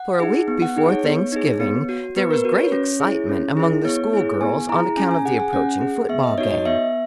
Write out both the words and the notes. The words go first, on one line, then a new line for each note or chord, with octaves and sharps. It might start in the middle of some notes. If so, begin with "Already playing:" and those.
For a week before Thanksgiving there was great excitement among the schoolgirls on account of the approaching football game.
Already playing: F#5
D#4 G#4
B3
F#5
D#4 G#4
C#5
B3
D#4 G#4
B3
F#4
B3 B4
A#4
F#4 B4
C#5
C#4
E4 G#4
C#4
E4 G#4
B3 C#5
E4 G#4
B3 G#5
E4 G#4 A#5
A#5
C#4 G#5
G#5
G#4 F#5
G#5
C#4 F#5
G#4
B3 E5
D#5
D#4 F#4 C#5
D#5
B3 E5